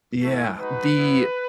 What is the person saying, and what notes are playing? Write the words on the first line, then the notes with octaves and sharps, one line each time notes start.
Yeah, the
A3 E4
G#3 D#4 F#4 B4
B3 E4